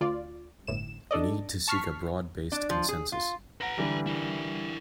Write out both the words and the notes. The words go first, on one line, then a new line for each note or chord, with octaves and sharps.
We need to seek a broad-based consensus.
D2 F4 D5
G1 A2 E7
D4 A4 D5 D#5
A5 C#6 F6 B6 C7
D4
F3
G#4
F4
B4 F#5 A#5 A#6
D3 E3 G3
E4 A#4